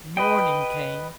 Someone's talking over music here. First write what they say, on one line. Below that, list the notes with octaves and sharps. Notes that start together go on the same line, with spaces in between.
Morning came!
B4 D#5 G5